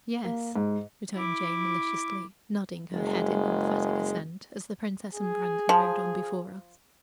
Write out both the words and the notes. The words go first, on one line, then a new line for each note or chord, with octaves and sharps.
"Yes," returned Jane maliciously, nodding her head in emphatic assent, as the princess and Brandon rode on before us.
A#3
G#2
E4 D6
F#1 G#3
G#4
F3